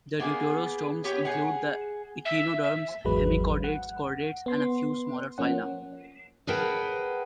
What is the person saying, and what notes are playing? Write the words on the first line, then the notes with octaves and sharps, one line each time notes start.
The deuterostomes include the echinoderms, hemichordates, chordates, and a few smaller phyla.
A#3 B3 G#4
B3 G4 C#5
G#4 F#5
E5
E5
G#1 E2 F#3 G#3 B4
F#5
B3 C6
F3 A#3 C#4 F#5
G#4 A#4 B4 F#5 G5 A5